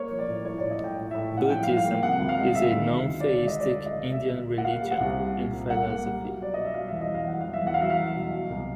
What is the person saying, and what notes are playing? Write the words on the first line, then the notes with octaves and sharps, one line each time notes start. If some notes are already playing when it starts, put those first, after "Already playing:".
Buddhism is a nontheistic Indian religion and philosophy.
Already playing: A#3 C#5
F3
D5
A2
A2 C#5
A2 D5
D#5
A2 G5
A2
A2 E5
A#3 F#5
F3 G5
F3 F5
F5
A#3
C3 F#5
D2
F5
G#3
G#3 E5
D#3
D#3
D2
D#3 D5
D5
G#3 D#5
G#3 D5
D2
D#5
D2
A#3 E5
A#2
A#3
F#5
A#3 F5
G3
F#5
C2
G3
A#2
C2
A#3 F#5
A#3
G3
F#3
B2 D5
B2 D#5
E5
F#3 F5
E2 E5
D#5
F#3 F5
E2 F#5
E2 F5
E5
E2 F#5
F5
F#3 E5
F5
E2
B2
F#3
C2